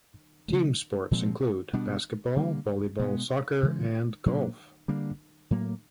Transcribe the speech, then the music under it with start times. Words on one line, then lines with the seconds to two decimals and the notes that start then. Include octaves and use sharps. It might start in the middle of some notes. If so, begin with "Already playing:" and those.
Team sports include: basketball, volleyball, soccer, and golf.
0.48 C#3 F#3 A3
1.11 A#2 F3 G#3 C4
1.73 B2 G3 B3 D4
2.36 D3 G3 A#3
2.99 B2 G#3 B3
3.63 C#3 E3 G#3
4.26 A#2 F#3 A#3 D4
4.88 D3 G3 A#3 D4
5.51 A2 F#3 A#3